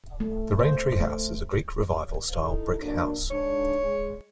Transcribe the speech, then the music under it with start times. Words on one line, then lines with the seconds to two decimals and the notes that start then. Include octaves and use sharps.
The Raintree House is a Greek Revival style brick house.
0.20 A3
0.59 C5
1.00 A3
2.42 D#4 E4 A4
2.80 F#3 A#3 D4
3.31 G#2 D4 C#5
3.83 G#3